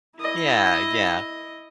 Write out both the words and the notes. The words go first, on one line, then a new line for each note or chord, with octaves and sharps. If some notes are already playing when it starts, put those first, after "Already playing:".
Yeah. Yeah.
E4 D#5